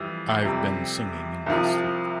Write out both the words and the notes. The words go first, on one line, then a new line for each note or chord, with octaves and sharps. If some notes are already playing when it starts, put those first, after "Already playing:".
I’ve been singing in my sleep.
Already playing: F2 E3 G3
F2 C3 G3
C2 C3 F3